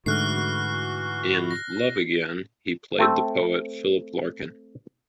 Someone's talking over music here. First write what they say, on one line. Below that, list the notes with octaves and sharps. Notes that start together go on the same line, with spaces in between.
In "Love Again", he played the poet Philip Larkin.
G#2 D3 E3 A3 F#4 F6 F#6 C7
A#6
A3 C4 A4